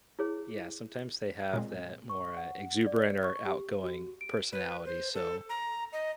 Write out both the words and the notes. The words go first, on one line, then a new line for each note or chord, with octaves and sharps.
Yeah, sometimes they have that more, uh, exuberant or outgoing personality, so,
E4 G#4 C#5
A#2 G#3 C4
C#6
F#5
D5
C#6
G4
F#4
D7
B4
C5
A4
A#5
D#5